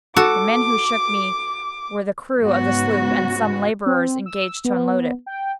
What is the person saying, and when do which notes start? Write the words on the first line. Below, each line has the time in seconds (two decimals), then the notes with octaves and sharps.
The men who shook me were the crew of the sloop, and some laborers engaged to unload it.
0.16 F#4 A4 D6
2.40 G#2 C#3 B3 F#4
3.86 C4
4.26 E6
4.65 B3
5.26 G5